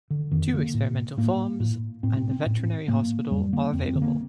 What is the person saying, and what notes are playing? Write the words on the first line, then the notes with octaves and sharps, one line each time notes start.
Two experimental farms and the Veterinary Hospital are available.
D3
F2 D#3
D3 A#3
A2
A2 A#3
A2
A2 C4
C4
C4
A2
A2 A#3
F2 G3
D3 A#3
F2 C4
C4
D3
A#3